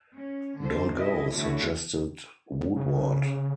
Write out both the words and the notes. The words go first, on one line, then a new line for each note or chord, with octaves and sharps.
"Don't go," suggested Woodward.
C#4
D3 C5
C3 E4 D#5 E5
D3 E3 A3 E4 F#4 C#5
C#3